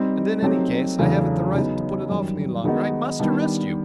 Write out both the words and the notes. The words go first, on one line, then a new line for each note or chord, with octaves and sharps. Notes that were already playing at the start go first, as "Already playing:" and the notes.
And in any case, I haven't the right to put it off any longer, I must arrest you.
Already playing: G3 C4 D#4
F#3 A3 C4 D#4 G4
E2 C#3 F#3 A3 D4
C#3 F#3 B3 D#4
F#2 D#3 G3
D#3 G#3 B3 D#4 F#4
D#3 G3 B3 D4